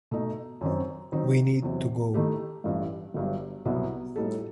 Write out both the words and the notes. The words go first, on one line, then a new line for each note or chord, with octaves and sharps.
We need to go.
B2 A3 D#4
F#2 D#3 F#3 C4
D#3 F#3 C4 D#4
E2 C3 F#3
D#3 A3 E4 G4
A1 G2 E3
G1 G2 F#3
C2 B2 F#3 B3 E4
A2 G3 D#4 F#4 A4